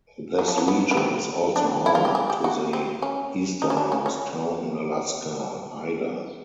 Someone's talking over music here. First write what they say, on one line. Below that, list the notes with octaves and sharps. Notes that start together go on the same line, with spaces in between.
This region is also home to the easternmost town in Alaska, Hyder.
F#3
F3
F#3
B3
B3
C4
D4
E4
F4
G4
G#4
G4
F#4
C4
C#4
D#4
C#4
D4
C#4
C#4